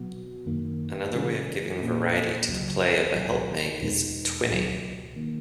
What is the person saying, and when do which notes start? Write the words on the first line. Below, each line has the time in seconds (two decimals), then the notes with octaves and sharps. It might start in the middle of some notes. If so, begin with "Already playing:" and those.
Another way of giving variety to the play of a helpmate is "twinning".
Already playing: B2 F#3 B3 F#4
0.46 F#2 D#3 A#3
1.13 C#3 E3 G#3 C#4 G#4
1.81 A#2 A#3 C#4
2.48 C#2 C#3 F#3
3.15 C#2 B2 F#3
3.82 E2 B2 G#3 B3 D#4
4.50 C#2 B2 F#3
5.16 D#3 A#3